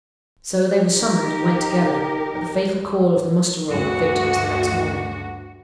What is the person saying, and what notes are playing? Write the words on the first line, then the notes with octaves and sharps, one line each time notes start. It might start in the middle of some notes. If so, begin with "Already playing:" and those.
So, they were summoned and went together, at the fatal call of the muster-roll of victims the next morning.
D#4 G4 A#4
D2 G2 F#4